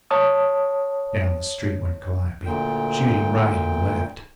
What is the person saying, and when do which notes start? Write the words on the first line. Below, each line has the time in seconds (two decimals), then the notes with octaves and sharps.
Down the street went Calliope, shooting right and left.
0.11 C#5 A5 D#6
2.46 D2 A#2 G5